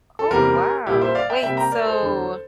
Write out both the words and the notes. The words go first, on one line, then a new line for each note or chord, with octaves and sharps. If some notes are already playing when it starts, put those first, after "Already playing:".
Oh, wow, wait, so,
A4
E2 C3 G3 A#3 G4 A#4
A#2 G3 A#3 E4 G4
C5 E5
D5 F5
E5 G5
C3 G3 A#3 E5 G5
G5 A#5
A#4 D5
A4 C5
E2 D3 G3